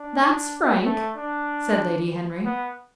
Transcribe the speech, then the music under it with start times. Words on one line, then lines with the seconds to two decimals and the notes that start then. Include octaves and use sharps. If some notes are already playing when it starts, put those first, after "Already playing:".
"That's frank," said Lady Henry.
Already playing: D4
0.85 A3
1.16 D4
2.45 B3